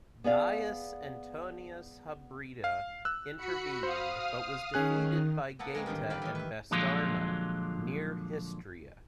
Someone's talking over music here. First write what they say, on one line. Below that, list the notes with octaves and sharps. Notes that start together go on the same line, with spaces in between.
Gaius Antonius Hybrida intervened, but was defeated by Getae and Bastarnae near Histria.
B3 G#4 D5 F5
F5
E6 F#6
F#4 B5 C#7
C5 F5 D#6 F6
D#3 C#4 G#4 F#6
A#3 B3 A4 F#5
G#3 A#3 C4
A2 D3 D#3 G3
A#4 B4 D5 F5 G5 B5
D#3 E3
B4 E5
A#2 D3 F3 F#3 G#3 F4